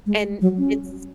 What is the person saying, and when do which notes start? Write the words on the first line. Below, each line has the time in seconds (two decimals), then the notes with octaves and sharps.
And it's
0.06 G#3
0.41 F#3
0.58 C#4